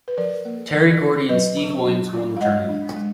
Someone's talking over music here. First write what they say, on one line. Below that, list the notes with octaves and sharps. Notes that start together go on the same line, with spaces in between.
Terry Gordy and Steve Williams won the tournament.
B4
F3 A#4 D5
A#3
F3
F4
F#3 B4 D#5
D4
F#3
F4
F5
G#3 D#5 F#5
D4
G#3